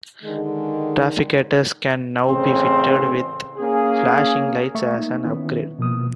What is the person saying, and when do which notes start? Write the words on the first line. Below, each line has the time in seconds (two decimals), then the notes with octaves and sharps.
Trafficators can now be fitted with flashing lights as an upgrade.
0.24 D3 D#3 G#3
2.27 A1 C#3 C4 C5
3.58 A#3 C#4 G#4
4.75 A3 E5 C#6
4.95 A#3 D#4
5.25 D#3 B3 C#4 E4
5.79 B2 F3 A#3 B3 D#6